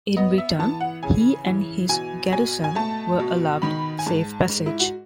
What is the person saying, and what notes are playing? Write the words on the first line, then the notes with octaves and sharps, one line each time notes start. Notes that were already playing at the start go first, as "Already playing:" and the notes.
In return, he and his garrison were allowed safe passage.
B3 D#5
E5
E3 A5
F#5
C#3 G#5
E3
B2 G#5
B2 G#5
G#5
A3 A5
B2
D#3 B5
G#5
G#2 A5
G#2
E4
F#4